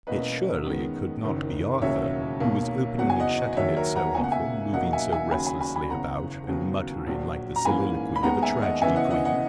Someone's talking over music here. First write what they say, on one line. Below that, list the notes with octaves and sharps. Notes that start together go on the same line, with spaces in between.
It surely could not be Arthur, who was opening and shutting it so often, moving so restlessly about, and muttering like the soliloquy of a tragedy-queen!
E1 E2 B2 A#3 C#4 B4 D#5
F#2 D#3 G#3 B3
F#1 F#2 D#3
E1 D#2 C#3 F#3 C#4 C#5 E5
B1 B2 A#3
F#1 E2 B2 F#3 F#5
G#5
D#5 F#5
D#2 D#3 F#3 C#5 E5
A#4 C#5
F#5 A#5
C#2 B2 A#3 C#4 G#5
F#5
E5 G#5
B1 B2 F#3 A#3 D#5 F#5
E5 G#5
E5 G#5
D#2 C#3 F#3 G#5 B5
G#5 B5
G#5 B5
G#5 B5
F#1 E2 C#3 F#5 A#5
D#2 C#3 F#3 B3
A#1 A#2 F#3
A#5
G#2 E3 A#3 C#4 G#5 B5
B5
D#2 D#3 G#3 B3 F#5 A#5
E5 G#5
D#5 F#5
F#1 F#2 E3 B3 E5 G#5
D#5 F#5
D#5 F#5
D#5 F#5